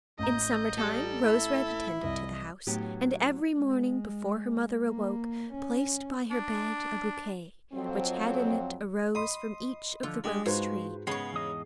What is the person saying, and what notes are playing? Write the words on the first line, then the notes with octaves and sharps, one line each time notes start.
In summer-time Rose-Red attended to the house, and every morning, before her mother awoke, placed by her bed a bouquet which had in it a rose from each of the rose-trees.
A1 D#5 A#5 G6
G3 A4
E4 E5
C2 D#5
A2 F#3 B3 D4 G4
G#3
A#3
C#4
D4
F2 F#3 C4
D#5 B5 C6 D#6
D3 F3 F4
G#3 D4 G4 G#4
G#2 F4 F#4 B4 C5
C#3 G#3 B3 C#5 C7
E2 D#5